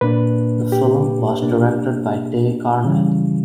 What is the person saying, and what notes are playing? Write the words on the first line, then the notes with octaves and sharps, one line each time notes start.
The film was directed by Tay Garnett.
A#2 A#3 D4 B4
G4
B2 A#3 D4
C#3 E3 G3